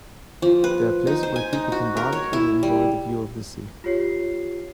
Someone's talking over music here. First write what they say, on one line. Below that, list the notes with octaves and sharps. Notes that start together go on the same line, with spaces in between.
There are places where people can barbecue and enjoy the view of the sea.
F3
B4
D#4
C5
G#5
D#4
F#4
A#4
C#5
E4
G3
F4 G4 C#5 C7